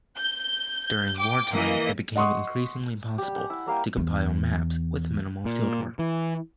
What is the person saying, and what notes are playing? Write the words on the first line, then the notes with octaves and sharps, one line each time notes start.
During wartime, it became increasingly possible to compile maps with minimal field work.
G6
G5 D6
E3 A#3 D#5
D#5 F#5 C6 C#6 D#6
G3 G4
F#5 G#5
E4
G3 A#3 F5 G5
E2
A#2
E3